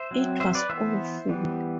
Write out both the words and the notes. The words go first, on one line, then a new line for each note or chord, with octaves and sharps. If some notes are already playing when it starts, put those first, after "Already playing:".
It was awful.
Already playing: C5 E5
F#3 C4
C5 E5
B4 D5
E3 B3 C5 E5
E3 G3 B3